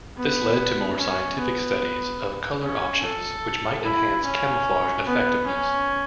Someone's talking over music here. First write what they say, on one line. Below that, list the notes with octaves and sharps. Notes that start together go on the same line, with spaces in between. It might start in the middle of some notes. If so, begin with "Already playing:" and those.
This led to more scientific studies of colour options which might enhance camouflage effectiveness.
B3
C#4
B3
C#4
A4
E4
C#4
B3
C#4